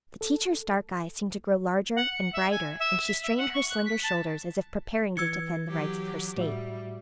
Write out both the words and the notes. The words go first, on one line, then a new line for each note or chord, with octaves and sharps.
The teacher's dark eyes seemed to grow larger and brighter, and she straightened her slender shoulders as if preparing to defend the rights of her State.
A4
F#5
C#7
E5
G#5
E5
B6
E5
F#5
C#6
F#6
B6
A5
E3 E6 G#6 C#7
F#3 G4
A2 G3 F#4 E5